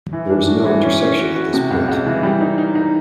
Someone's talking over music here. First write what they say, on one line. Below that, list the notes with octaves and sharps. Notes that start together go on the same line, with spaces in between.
There is no intersection at this point.
E3
D4
F#4
E3
C#4
C#4
F#4
F#4
C3
C#2
C#2
E3
G3
D#4
D#4
D#4